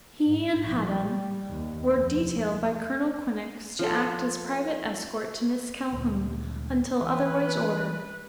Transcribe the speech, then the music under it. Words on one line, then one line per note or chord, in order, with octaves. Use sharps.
He and Haddan were detailed by Colonel Quinnox to act as private escort to Miss Calhoun until otherwise ordered.
G#2
A#1
G3
D#2
F1
F3 A4
D2 A#2
E3 B4